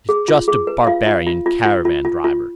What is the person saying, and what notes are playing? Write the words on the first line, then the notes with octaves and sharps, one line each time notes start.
"He's just a barbarian caravan-driver."
G#4
F4
G#4
B4
F4 F5
F4
F4
F4
F4
F4
F4
F4